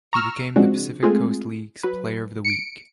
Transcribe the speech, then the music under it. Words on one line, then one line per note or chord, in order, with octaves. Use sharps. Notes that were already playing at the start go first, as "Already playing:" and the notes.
He became the Pacific Coast League's Player of the Week.
A#5 C#6 E6 F6
C#3 F3 G#3 C4 D4 F#4
G#3 A3 C4 F4 G#4
F#3 B4
C#7 D7